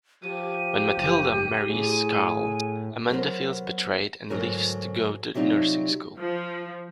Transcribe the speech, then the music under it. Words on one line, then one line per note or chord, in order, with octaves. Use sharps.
When Mathilda marries Carl, Amanda feels betrayed and leaves to go to nursing school.
F3 G4 D#7
F#1
A2 G#4
F#3 B3 A#4 C5
D2 G#2 F#3 F#4 A#4
C3 F#3 G3 D#4 F4
F3